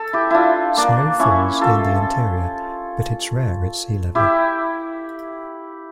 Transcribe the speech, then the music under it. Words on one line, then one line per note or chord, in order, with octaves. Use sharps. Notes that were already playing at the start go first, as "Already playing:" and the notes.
Snow falls in the interior, but it's rare at sea level.
Already playing: A4
E4 G4
D4 E4 F4
A#3 D4
C#4 E4
F4 A4
E4 G4